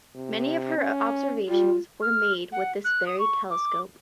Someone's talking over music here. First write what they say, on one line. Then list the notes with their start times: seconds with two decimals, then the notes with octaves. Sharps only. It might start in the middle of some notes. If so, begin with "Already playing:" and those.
Many of her observations were made with this very telescope.
0.15 C3
0.78 C#4
1.49 G3 F4
2.02 F6
2.52 F#5
2.84 F#6
3.06 D#6
3.19 C#6
3.50 D6